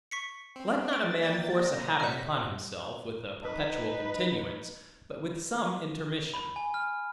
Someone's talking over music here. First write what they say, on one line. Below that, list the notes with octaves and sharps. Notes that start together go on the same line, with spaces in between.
Let not a man force a habit upon himself, with a perpetual continuance, but with some intermission.
C#6 B6 C#7
C4 G5
A#3 A6 D7
D5 G5
A#6
C3 E5 F#5 B6
D#4 B4
B5
G#5
F6